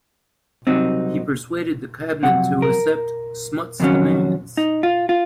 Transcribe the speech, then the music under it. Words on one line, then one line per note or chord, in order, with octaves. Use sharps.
He persuaded the cabinet to accept Smuts' demands.
C2 C3 F#3 C4 D#4
F2 C3 F#3 C4 F#5
A#4
F2 C3 D#3 F#3 C#4
D#4
F4
F4